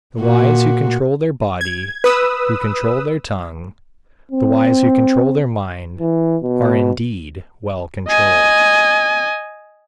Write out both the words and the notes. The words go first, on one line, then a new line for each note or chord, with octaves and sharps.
The wise who control their body, who control their tongue, the wise who control their mind, are indeed well controlled.
A#2 F#4
G#6
B4 D#6 E6
C4
E3
B2
D#5 G#5